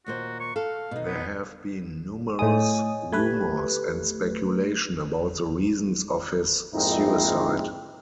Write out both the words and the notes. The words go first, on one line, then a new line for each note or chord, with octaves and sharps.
There have been numerous rumours and speculation about the reasons of his suicide.
D#2 A#2 F#4 C5
C#6
A4 F5
B2 D#4
B3
A2 C#5 D#5 G#5 D#6
A3 G4 B4 F#6 G#6
A#1 F2 G#2 C4 D#4 E4